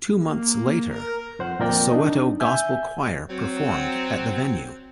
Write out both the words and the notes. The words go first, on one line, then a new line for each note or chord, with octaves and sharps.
Two months later, the Soweto Gospel Choir performed at the venue.
A#3
A#4
F2 C5 F#5
F2 A#2 F4 A#4 D5 G5
D4 D#4
E5 G#5 G6
F#3 C4